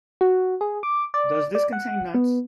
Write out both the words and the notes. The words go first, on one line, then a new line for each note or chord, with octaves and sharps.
Does this contain nuts?
F#4
G#4
D6
D5
D5
F#5
B3